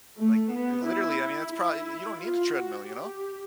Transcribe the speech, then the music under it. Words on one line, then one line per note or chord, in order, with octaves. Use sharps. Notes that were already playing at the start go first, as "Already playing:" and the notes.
Like, i i literally, I mean, that's probably y you don't need a treadmill, you know?
A3
B3
E4
E4
F4
F#4
G4